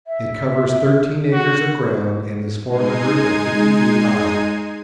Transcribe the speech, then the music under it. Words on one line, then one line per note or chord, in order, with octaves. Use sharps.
It covers thirteen acres of ground and is four hundred and fifty feet high.
E5
F#4
G#3 D#4 G#6 C7 D#7